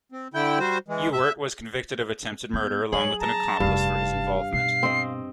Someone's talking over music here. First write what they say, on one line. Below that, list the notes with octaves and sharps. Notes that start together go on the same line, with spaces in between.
Ewert was convicted of attempted murder along with an accomplice for his involvement.
C4
D3 E4 G5
G3 F#4 C5
E3 G#3
E5
B3 G6
F#3 G#4 C#5 F#7
A5 A#5
F1 G2 D#4 F5
B2 C7
C4 D#5